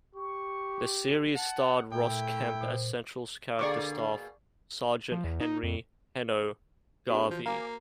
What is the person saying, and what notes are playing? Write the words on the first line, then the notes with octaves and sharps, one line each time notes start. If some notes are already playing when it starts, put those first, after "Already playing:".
The series starred Ross Kemp as central character Staff Sergeant Henry 'Henno' Garvie.
G4 C#6
F#5 A5
A#2 A3 E4 G5
A#2 C5
B2 D3 A#3 G#4 D5 C#6 D6
F3
E2
D#4
F2
B3 D4 F#4 G#4 C5
E3 F3
A#3 F5 G#5 A#5 D6